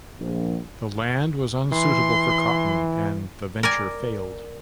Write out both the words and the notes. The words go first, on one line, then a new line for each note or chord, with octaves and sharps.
The land was unsuitable for cotton, and the venture failed.
A#1
E3 C6
A#4 D5 G#5